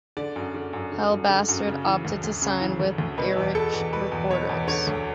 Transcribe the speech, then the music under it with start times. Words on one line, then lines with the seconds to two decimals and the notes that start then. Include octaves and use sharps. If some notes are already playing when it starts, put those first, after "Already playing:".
Hellbastard opted to sign with Earache Records.
0.17 D3 D5
0.36 F#2
0.54 D3
0.73 F#2
0.92 D3
1.11 F#2
1.29 D3
1.48 F#2
1.67 C#3
1.86 E3
2.05 D2
2.24 D2
2.42 C#3
2.61 E3
2.80 D2
2.98 D2
3.18 B2 B4
3.36 E2
3.55 B2 A4
3.73 E2
3.93 B2 B4
4.12 E2
4.30 B2 C#5
4.49 E2
4.67 D3 C#5
4.87 D2